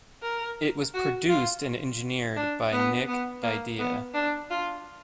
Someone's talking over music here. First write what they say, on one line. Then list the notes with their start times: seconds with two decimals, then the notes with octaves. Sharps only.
It was produced and engineered by Nick Didia.
0.22 A#4
0.94 F#4
1.29 F4
2.36 D4
2.72 B3
3.08 B3
3.43 A#3
3.79 B3
4.14 D4
4.50 F4